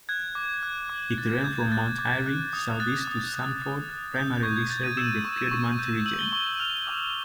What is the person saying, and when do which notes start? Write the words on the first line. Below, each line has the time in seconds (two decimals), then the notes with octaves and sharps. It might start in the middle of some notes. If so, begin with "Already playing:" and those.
It ran from Mount Airy southeast to Sanford, primarily serving the Piedmont region.
0.09 F#6 G#6
0.35 D6
0.63 F#6
0.90 D6
1.18 F#6 A6
1.39 G6
1.44 D6 G#6
1.61 G#6
1.71 F#6 A6
1.99 D6
2.26 F#6
2.53 D#6
2.80 F#6 A6
3.07 D#6
3.34 F#6
3.62 D#6
3.89 F#6
4.15 D#6 G6
4.43 C#6 G#6
4.56 G#6
4.69 G6 A6
4.84 D#7
4.97 E6 E7
5.25 C#6
5.51 C#6
5.79 G6
6.06 E6 F#7
6.19 G7
6.33 C#6 G7
6.47 F#7
6.59 F6 F7
6.87 D6